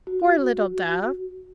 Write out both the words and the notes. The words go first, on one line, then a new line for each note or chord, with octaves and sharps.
Poor little Dove!
F#4